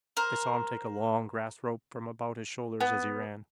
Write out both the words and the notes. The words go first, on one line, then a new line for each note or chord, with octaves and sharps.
They saw him take a long grass rope from about his shoulders as he ran.
A#4 C5
B3